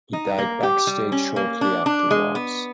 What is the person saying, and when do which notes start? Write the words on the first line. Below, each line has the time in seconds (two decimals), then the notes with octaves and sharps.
He died backstage shortly afterwards.
0.13 D#4
0.38 A#3
0.63 G4
0.87 G3
1.12 C#4
1.36 A#3
1.61 D4
1.86 D4
2.11 G#3
2.35 B3